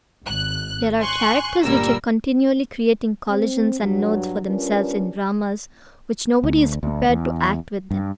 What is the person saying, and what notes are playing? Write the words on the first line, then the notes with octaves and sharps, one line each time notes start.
There are characters which are continually creating collisions and nodes for themselves in dramas which nobody is prepared to act with them.
G#1 F#6
G#5 C6 C#6 F#6
G1 A#2 G3 A#3 A#4 E6
C4
G2 F#3
G3 C#4 D4 F4 A#4 B4
D2
D2
E2
G2